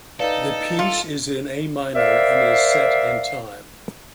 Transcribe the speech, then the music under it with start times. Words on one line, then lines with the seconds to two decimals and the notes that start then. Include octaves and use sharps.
The piece is in A minor and is set in time.
0.20 D#4 A4 B4 D5 F5
0.79 F4 C#7
1.95 A#4 C5 D5 E5 F5